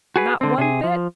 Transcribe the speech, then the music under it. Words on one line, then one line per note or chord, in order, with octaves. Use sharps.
Not one bit?
F#4 G#4 B4
D3 C4
C3 G#4
F3